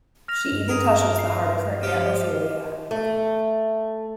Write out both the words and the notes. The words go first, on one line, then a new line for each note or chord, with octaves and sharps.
She even touches the heart of her Aunt Ophelia.
F6 A#6 F7
G2
G#4 A#4
C7
F3 G4 F6
A3